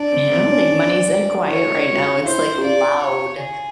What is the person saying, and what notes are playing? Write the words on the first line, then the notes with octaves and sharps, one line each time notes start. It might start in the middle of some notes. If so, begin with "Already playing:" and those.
Yeah, I don't think money is that quiet right now, it's, like, loud,
Already playing: D4 D5
C4
C4
D4
C#4
D4
E4 C#5
F#4
F4
E4 C5
F4 D5
C#5
G#4